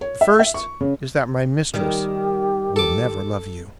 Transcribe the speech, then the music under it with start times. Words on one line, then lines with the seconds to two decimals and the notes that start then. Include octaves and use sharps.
"The first is that my mistress will never love you."
0.01 C#5
0.21 E5
0.39 E5
0.54 C#6
0.81 C#3
1.74 D#3 G3 G4
2.76 A4 D6